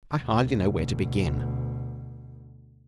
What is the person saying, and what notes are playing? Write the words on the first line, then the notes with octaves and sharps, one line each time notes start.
I hardly know where to begin.
D2 B2